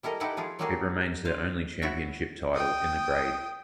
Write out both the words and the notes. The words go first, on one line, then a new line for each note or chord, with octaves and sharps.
It remains their only championship title in the grade.
G3 E4 A4 A#4 D#5
D#4 E4 G4 A4 B4 F#5
F3 E4 F4 G#4
F#3 G3 A3 A#3 F#4 G#4
C5 F5
E4 F#4 C#5 E5 F#5
G5 D#6